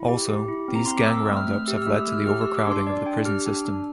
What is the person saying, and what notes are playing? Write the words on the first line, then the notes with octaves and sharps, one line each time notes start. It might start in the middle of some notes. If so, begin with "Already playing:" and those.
Also, these gang round-ups have led to the overcrowding of the prison system.
Already playing: E4
G4
G4
E4
C4
A#5
C4 C6
D6
C4 E6
A3
F6
A3
F6
G4 E6
F6
A3 E6
E6
A3
F6
G4 F6
G4 E6
D6
D4 C6
D4 D5
D4 G5
G4 F6
D4
D4